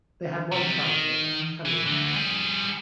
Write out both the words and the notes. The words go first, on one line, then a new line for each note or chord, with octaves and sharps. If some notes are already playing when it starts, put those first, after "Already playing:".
They had one child together, Cameron.
C3 G3
D#3
E3
D2 D3
G3 G#4